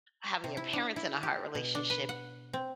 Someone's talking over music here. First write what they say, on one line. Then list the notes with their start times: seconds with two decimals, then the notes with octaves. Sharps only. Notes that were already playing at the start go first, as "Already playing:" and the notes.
having your parents in a hard relationship,
0.44 C3
0.57 E4
0.73 D4
0.96 E4
1.23 G4
1.55 B2
1.75 D4
1.90 B4
2.09 F#5
2.53 C4